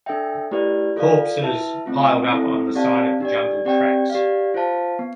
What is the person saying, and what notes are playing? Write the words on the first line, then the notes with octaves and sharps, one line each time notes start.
Corpses piled up on the side of the jungle tracks.
D4 A4 E5 G5
A3 E4 G4 B4 D5
F4 A4 D5 F5
E4 B4 E5 A5
A3 C4 F4
C4 E4 A4
C4 G4 D5 F5 A5
D4 G4 D5
C4 G4 D5 G5
G4 D5 F5
F4 C5 F5 A5
B3